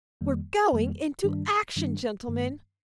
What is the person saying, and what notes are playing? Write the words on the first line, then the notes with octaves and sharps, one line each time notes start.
"We're going into action, gentlemen!"
F2 D#3 G3 A#3
F2 D#3 G3 A#3
G2 D#3 G3 D4
G2 D#3 G3 D4
G2 D#3 A3